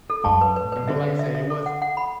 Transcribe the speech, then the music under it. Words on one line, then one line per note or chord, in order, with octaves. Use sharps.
um, but, like I say, it was
A4
F#2 A5
B4
B4
A2
B2 B4
D3 E5
B4
E5
E5
A4
F#5
F#5
B5